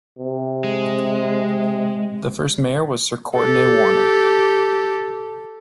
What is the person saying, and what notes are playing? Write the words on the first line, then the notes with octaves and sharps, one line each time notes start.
The first mayor was Sir Courtenay Warner.
C3
G#3
G4 A4